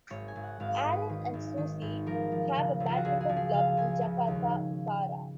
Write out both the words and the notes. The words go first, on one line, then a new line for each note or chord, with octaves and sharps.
Alan and Susi have a badminton club in Jakarta Utara.
G#1 C#5
G#5
G#1
F#5
G#1 F5
D#5
G#2
B4
D#3
G#1
D#3
G#1
F3 A#4
F3
C#3
C#2
F4
F#4
C#2 G#4
G#4
F3
G#4
C#3 F5
C#2 G#5
C#3
D#2